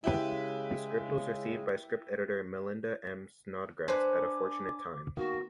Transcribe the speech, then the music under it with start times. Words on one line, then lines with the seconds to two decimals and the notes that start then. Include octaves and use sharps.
The script was received by script editor Melinda M. Snodgrass at a fortunate time.
0.04 C#3 G#3 E4 G4 B4
3.88 D4 B4 C5 G#5 B5 D6
5.17 D#3 A#3 B3 F#4